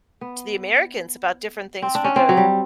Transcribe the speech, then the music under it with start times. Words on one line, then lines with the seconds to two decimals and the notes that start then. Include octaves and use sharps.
to the Americans about different things for the
0.21 B3
1.82 C4
1.95 D4
2.04 C#4
2.16 C4
2.29 F#3
2.37 G3